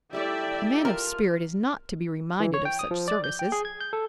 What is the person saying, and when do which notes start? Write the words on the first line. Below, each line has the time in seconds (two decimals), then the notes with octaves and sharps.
A man of spirit is not to be reminded of such services.
0.13 G3 A3 E4 G4 D5 E5 G5
0.85 F4 A#4 A5
2.40 E3
2.54 C#5
2.65 G5
2.79 D#6
2.91 F3
3.08 D5
3.24 G6
3.39 G5
3.52 G#4
3.65 G#6
3.81 G6
3.93 A4